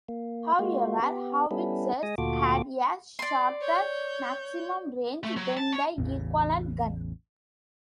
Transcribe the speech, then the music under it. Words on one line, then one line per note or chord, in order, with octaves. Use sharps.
However, howitzers had a shorter maximum range than the equivalent gun.
A#3
G#3 A#3 F4 F#4
B3 G4
G3 B3 C#4 E4 A4
G#3 D#5 G#5 D#6
D2 A#2 F4 F#4 A4 D6
D5 C6
C#5 G6
A3
F#3
A5
C#5
A1 E2 C#3